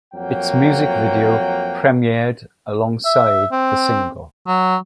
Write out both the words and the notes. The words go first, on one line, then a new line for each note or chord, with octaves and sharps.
Its music video premiered alongside the single.
F2 F#3 A#3 F#5 G5
E5
C4
F#3